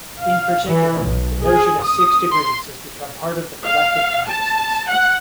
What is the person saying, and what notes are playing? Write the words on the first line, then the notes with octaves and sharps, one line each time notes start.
In particular, the notion of six degrees has become part of the collective consciousness.
F5
E3
B1
G#4
D#6
C6
F5
A5
F#5